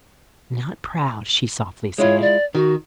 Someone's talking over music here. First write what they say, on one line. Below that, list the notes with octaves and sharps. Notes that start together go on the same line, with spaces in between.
"Not proud," she softly said.
G#3 E4 F4 C#5
D5
D#3 F#4